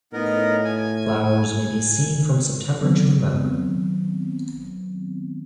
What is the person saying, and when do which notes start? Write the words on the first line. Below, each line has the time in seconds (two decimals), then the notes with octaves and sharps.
Flowers may be seen from September to November.
0.13 A2 B3 D#4 A#4
0.65 G#5
2.80 D#3 F#3 B3 C4